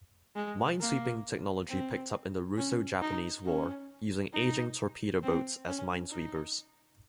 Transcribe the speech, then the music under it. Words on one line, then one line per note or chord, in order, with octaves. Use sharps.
Minesweeping technology picked up in the Russo-Japanese War, using aging torpedo boats as minesweepers.
G#3
A#3
C4
C#4
D#4
C#4
D#4
C4
C#4
D#4